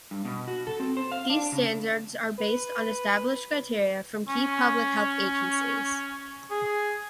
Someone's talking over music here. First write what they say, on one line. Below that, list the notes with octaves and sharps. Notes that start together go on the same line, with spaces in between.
These standards are based on established criteria from key public health agencies.
G2
B2
F#4
A4
C4
C5
F5
D4
C#3
B4
C#4
G#4